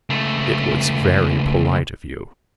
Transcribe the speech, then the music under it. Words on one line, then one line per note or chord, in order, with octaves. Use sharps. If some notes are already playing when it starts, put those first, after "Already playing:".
"It was very polite of you."
C#2 A3